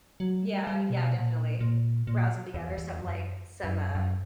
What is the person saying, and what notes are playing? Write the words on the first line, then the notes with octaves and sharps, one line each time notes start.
Yeah, yeah, definitely. Rousing together some, like some, uh
F#3
G3
G3
B2
A#2
A#2
A#2
E2
E2
F#2
F#2
F#2